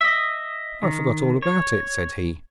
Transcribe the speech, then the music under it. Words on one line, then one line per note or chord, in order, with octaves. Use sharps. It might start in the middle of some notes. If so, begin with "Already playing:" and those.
'I forgot all about it,' said he.
D#5 E5
D#3
C#5